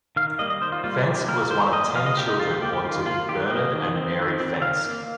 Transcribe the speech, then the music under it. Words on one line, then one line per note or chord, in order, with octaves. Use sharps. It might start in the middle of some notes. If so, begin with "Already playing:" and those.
Fenske was one of ten children born to Bernard and Mary Fenske.
D#3 F5
G3 A#3 D#5
D#5
D#3 C5
F4
G3 A#3 F4
F4
D#3 G4
A#3 A#4
D#3 C5
A#3 D#5
F3 F5
D#5
A#3 G4
D#4
F3 F4
G4
A#3 G4
G4
D#3 F4
A#3 F4
D#3 G4
A#3 D#5
D#3
C4
D#3
C4
D#3 F5
A#3